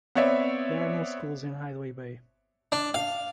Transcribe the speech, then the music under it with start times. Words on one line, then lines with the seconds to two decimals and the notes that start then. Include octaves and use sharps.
There are no schools in Hideaway Bay.
0.15 B3 C4 C#5 D5 E5
2.72 D4
2.94 F5